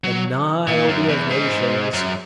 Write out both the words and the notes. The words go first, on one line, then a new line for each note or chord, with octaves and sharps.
The Niobe of nations!
F#3
A#2
F#2
E2
G#2
F#2